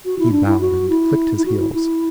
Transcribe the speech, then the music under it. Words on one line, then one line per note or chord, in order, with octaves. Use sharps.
He bowed and clicked his heels.
F#4
E4
D4
E4
F#4
E4
E4
F#4
E4
E4